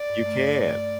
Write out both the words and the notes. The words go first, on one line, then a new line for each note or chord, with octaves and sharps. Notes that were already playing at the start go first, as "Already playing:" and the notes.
You can.
Already playing: D5
G2
A3